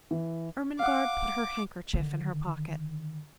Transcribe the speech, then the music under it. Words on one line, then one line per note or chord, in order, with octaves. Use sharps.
Ermengarde put her handkerchief in her pocket.
E3
F5 F#5 D6
D3 D#3